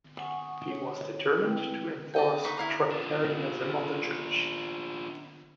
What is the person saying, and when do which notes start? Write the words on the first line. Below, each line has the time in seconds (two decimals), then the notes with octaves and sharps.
He was determined to enforce Tractarianism on the Church.
0.18 F#5 G#5 C#6 D#6
0.70 C#5
1.38 G#3 C4 E4 B4 G5
2.14 D5 D#5 G5
2.44 D#4 B4 C#6 D6
2.58 E4 F5 A#5
2.91 D4 F4